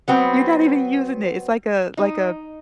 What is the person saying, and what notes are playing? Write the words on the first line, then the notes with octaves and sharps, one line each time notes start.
You're not even using it. It's like a like a
F#3 B3 C4
D#4